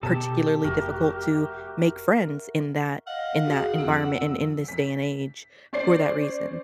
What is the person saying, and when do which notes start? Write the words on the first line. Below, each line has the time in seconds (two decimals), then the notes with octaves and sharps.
particularly difficult to make friends in that in that environment and in this day and age for that reason.
0.03 B2 G4 A4 A5
0.64 F1 F#4 A#4 E5
3.07 D#5 F5 F#5
3.47 F#4 G#4
3.78 F2 E6 D7
4.68 B6
5.73 C#4 C5 D5 C7